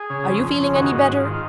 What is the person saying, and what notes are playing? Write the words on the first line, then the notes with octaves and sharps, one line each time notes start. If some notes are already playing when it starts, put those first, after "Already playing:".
Are you feeling any better?'
Already playing: G#4
C#3
F2
F2
C#3
D#3 F#4
G#2
F#4
G#2
F4
D#3
F4